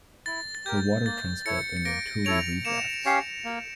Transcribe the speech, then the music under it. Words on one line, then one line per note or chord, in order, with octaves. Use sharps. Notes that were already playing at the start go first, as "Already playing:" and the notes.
For water transport, they made tule reed rafts.
E4 A6
A6
G4 A#4 G6
A#3 A6
E4 A4 C#5 A6 C#7
C#7
A#3 A#6 D7
E4 A4 C#5 D7 F7
A#3 C#7 E7
C#4 G4 C#5 F5
A#3